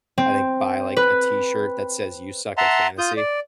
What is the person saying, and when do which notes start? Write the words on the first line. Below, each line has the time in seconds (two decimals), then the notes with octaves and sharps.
I think buy, like, a T-shirt that says, "You suck at fantasy"
0.18 C4
0.97 B4
2.57 E5 F#5 A5 A#5 C6
2.98 F4 D#6 G6
3.17 D5